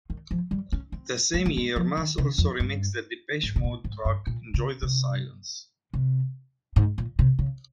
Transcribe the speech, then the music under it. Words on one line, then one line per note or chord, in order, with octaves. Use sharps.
The same year, Maas also remixed the Depeche Mode track "Enjoy the Silence".
D#3
F3
G3
C#4
C4
G#3
A#3
G#3
F3
D#3
C#3
F2
G2
G#2
C3
A#2
G#2
G2
A#2
C#3
C3
C3
G#2
A#2
C3
C#3